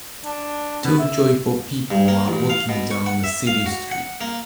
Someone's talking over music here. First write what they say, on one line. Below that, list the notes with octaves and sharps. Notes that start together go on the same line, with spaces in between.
Two joyful people are walking down the city street.
D4
C#3 B3
E5
G2
A#3
A1
F5
B2
C#6
F#5
E5
F5
F#4
F#5
A#3